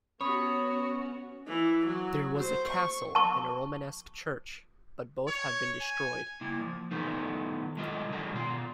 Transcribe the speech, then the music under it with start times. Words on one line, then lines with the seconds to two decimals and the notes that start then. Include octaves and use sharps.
There was a castle and a Romanesque church, but both have been destroyed.
0.21 B3 C#4 F#4 C#5 B5 D#6
1.46 E3
1.86 F#3
2.38 C5
2.67 C#6
3.15 A5 C#6
5.28 C#5
5.81 G#5
6.41 A#3 E4
6.59 F3
6.91 D#3 F3 A3 B3 D#4
7.77 F#3 G#3 A3 F4 D#5
8.10 D3 D#3 F3 F#3 G#3
8.33 B2 F4